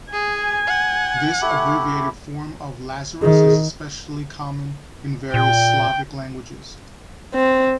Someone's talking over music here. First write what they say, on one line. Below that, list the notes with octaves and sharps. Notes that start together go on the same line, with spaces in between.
This abbreviated form of Lazarus is especially common in various Slavic languages.
G#4 G#5
F#5
A3 E4 G4
D#3 G#4
A#2 G5
C4